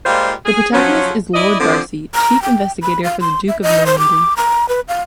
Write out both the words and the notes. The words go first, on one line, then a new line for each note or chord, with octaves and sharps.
The protagonist is Lord Darcy, Chief Investigator for the Duke of Normandy.
A#2 G3 G#3 F4 C5 F5
G#4
F3 F#3 C#4
E4 D5 D#5
D3 F3 C4
A#5
G5
B5
F5
C6
E5
D#5
C5
D6
A#5
B4
F5